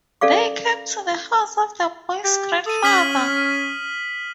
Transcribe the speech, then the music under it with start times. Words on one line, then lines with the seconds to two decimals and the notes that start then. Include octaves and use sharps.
They came to the house of the boy's grandfather.
0.21 C#4 A4 D5 F5 D6
2.24 G4
2.66 A4 D#6 D#7
2.84 C#4 F6 B6 F#7